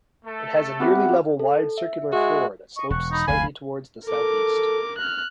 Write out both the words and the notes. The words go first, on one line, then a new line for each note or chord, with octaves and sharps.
It has a nearly level wide circular floor that slopes slightly towards the southeast.
A3 A4
B3 C4 F#4 G4 E5 F#5
A4
E5
G#3 F#4 G#4 E5
D#5 C#6
E1 C#6 F#6
D#4 B5
F1 D2 C3 F5 G#5
A4 A#4 D6
F6 F#6